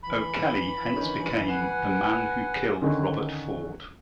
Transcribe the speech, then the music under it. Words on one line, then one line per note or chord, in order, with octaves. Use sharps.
O'Kelley hence became "the man who killed Robert Ford".
E3 B5
D3 D#3 C#4
B4 F#5 G#5 C7 E7
D3 D#3 C#4